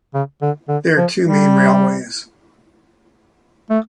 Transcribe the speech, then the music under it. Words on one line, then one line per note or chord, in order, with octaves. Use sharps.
There are two main railways.
C#3
D3
D3
F3
G3
A3